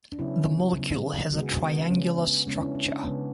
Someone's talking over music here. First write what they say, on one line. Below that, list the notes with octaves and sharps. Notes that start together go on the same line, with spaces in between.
The molecule has a triangular structure.
D4
C#3 F#3 B3 C#4 E4
C#3 F#3 B3
C#3 G#3 B3 F#4
G#4
D4 F#4
B3 D4
D4
C#3 G#3 B3 C#4
B3
C#3 G#3 B3 C#4
D4
C#4 E4
C#4
D4
C#4
C#3 G#3 B3